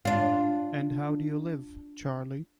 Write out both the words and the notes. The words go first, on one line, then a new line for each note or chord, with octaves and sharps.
And how do you live, Charley?
D4 F4